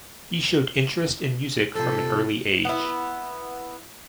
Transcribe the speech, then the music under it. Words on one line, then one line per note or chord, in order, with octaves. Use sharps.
He showed interest in music from an early age.
C3 F3 A4
B3 E4